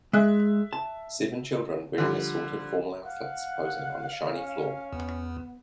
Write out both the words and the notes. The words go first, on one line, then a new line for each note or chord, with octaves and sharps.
Seven children wearing assorted formal outfits posing on a shiny floor.
G#3 E5 F#6
A5
D3 F3 G3
F5 F#5
C#4
E2 B3